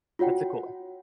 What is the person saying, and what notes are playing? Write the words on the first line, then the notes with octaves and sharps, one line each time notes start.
That's a cool one.
F4 F#4 C#5 F#5 G5